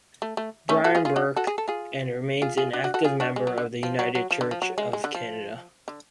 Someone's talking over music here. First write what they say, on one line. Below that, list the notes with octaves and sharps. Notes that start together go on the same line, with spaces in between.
Brian Burke, and remains an active member of the United Church of Canada.
A3
A3
A3 C#4
F#4 A4
F4 G#4
F4 G#4
D4 F#4
F#4 A4
G#4
A4
F4 G#4
F4 G#4
F4 G#4
D4 F#4
D4 F#4
F#4 A4
F4 G#4
D4 F#4
G#3
F#3
D3
F3
F#3
F#3
F3
D3
F3
F#3
G#3
G#3
D3
F3
D3